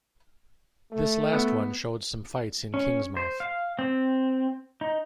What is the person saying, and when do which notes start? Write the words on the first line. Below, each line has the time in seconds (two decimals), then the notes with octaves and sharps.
This last one showed some fights in Kingsmouth.
0.92 A3
1.33 B3
2.74 C#4
3.17 C5
3.40 F5
3.79 C4
4.81 D#4